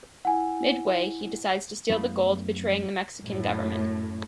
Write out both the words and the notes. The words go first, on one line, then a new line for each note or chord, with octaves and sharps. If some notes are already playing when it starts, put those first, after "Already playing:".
Midway, he decides to steal the gold, betraying the Mexican government.
E4 F#5 G#5
F#2 A3 B3 E4 F5 B5
F#2 A2